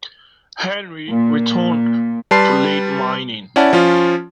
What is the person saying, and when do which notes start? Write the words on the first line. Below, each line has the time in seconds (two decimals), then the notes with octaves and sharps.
Henry returned to lead mining.
1.09 A#2
2.31 G3 B4 A5 C6 C7
3.56 C#4 E4 D5 F#5 A5
3.73 F3 C#4 F4